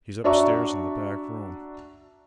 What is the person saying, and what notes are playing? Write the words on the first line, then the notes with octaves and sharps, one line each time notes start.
"He's upstairs in the back room."
D4 F#4 D5 E5 A#5 C#6